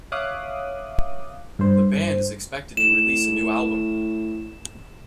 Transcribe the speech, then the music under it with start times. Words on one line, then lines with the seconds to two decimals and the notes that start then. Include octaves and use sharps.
The band is expected to release a new album.
0.12 C#5 E5 F5 D6 D#6 F#6
1.59 G2 C5
2.77 A2 E7